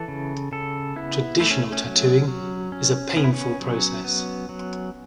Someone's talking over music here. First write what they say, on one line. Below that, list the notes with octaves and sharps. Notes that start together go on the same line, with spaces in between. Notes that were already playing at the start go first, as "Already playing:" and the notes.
Traditional tattooing is a painful process.
Already playing: E3 A4
C#3
C#3 A4
B3 E4
A3 E4
C#4
C#4
F#3
F#3
C#4
B3 C#4
E4
C#4
F#3
B3
F#3